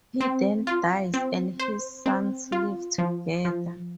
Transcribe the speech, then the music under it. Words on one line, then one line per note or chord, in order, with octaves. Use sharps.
He then dies, and his sons leave together.
C4
F4
C4
C5
C4
F4
F3
F3